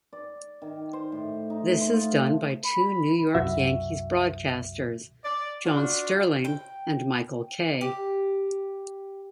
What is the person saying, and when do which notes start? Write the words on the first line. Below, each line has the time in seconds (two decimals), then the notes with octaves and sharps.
This is done by two New York Yankees broadcasters: John Sterling and Michael Kay.
0.13 D5
0.62 D#3
0.93 C5
1.12 A2
1.50 D#4
1.66 A3
1.81 C5
1.93 F4
2.65 B5
3.35 C2 F#2 F#4 E5
5.25 D5
5.66 D4 F4 F#4
6.45 G5
7.81 G4